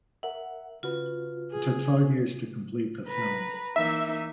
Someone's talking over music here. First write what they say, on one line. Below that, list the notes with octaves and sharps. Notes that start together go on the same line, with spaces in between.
It took five years to complete the film.
A#4 E5 F#5
C#3 F4 F#4 B4
G#4
B4 A#5 B5
E3 A#3 D#4 E5